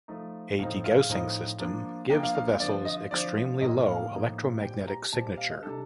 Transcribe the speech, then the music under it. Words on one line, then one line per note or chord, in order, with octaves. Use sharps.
A degaussing system gives the vessels extremely low electromagnetic signature.
F3 A3 D#4
A2 F3 C4 D#4 F5
F5
A2 F3 C4 D#4
F3 A#3 D4
F3 A#3 D4 G5
F5
F5
F5
D3 F3 C4 D5
D#5
D3 F3 C4 D5
A2 F3 A#3 D#4 D#5
F5
A2 F3 A#3 D#4
A#2 G3 C4 G5
A#5
A#2 G3 C4 A5
F5
D#5
C3 G3 D4 A4